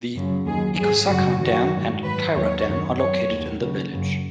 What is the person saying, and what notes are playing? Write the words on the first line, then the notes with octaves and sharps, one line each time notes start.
The Ikusaka Dam and Taira Dam are located in the village.
F#2 C#3 F#3
D#2 D#3 F#3 G#4
G#2 F#3 G#4
F#2 C#3 F#3 F#4
F#2 D#3 F#3 F#4
G#2 D#3 F#3
G#2 D#3 F#3 B4
D#2 D#3 F#3 C#5
F#2 D#3 F#3
F#2 F#3 C#5
D#2 D#3 F#3
D#2 C#3 F#3
F#2 C#3 F#3